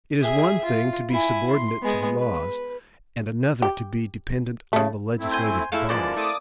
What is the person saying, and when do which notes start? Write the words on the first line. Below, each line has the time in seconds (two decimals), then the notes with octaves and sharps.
It is one thing to be subordinate to the laws, and another to be dependent on the legislative body.
0.20 G#4 E5
0.65 F4
1.10 E4 G#5
1.51 C6
1.82 G#3 B3
2.18 B4
3.62 G4
4.73 C#3 A3
5.19 A3 C4 E4
5.31 C5 G#5
5.72 G#3 A3 E4 F5 G5 E6
5.89 F#2 E3 F3 A#3 D5 A5
6.17 A3 C4 E4 D6 D#6